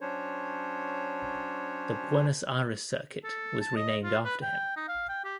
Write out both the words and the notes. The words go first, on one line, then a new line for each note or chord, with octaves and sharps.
The Buenos Aires circuit was renamed after him.
F#3 C#4 D4 C5 C#5
A4
A5
D#5
F4
B4
G5
D#4
F5
G5
G4